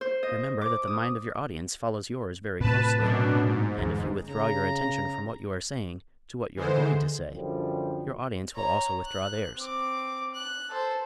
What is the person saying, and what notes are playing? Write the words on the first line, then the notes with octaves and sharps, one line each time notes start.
Remember that the mind of your audience follows yours very closely, and if you withdraw your attention from what you are saying to what you are going to say, your audience will also withdraw theirs.
C5
D#5
D6
D#6
A2 C3 C4 B4 A5
F#2 B2 D4
G#2
G1 E2 G2
C#3 A#5
D3 E3 G#3 C5
F#2 D3 F3 G3
C#5 A#5
F#6
C4 D6
F#6
A4 C5